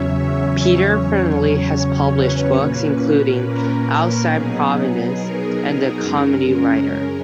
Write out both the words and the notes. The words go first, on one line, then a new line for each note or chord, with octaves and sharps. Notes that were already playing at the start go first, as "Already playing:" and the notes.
Peter Farrelly has published books including "Outside Providence" and "The Comedy Writer".
Already playing: E2 C#3 F#3 C#4 C#5 E5
C#5
E2 C#3 F#3 C#4
C#5
B4
A#2 A#3 C#4 B4
A#4
B2 F#3 B3 D#4 G#4
A#4
F#2 C#3 G#3 C#4
A#4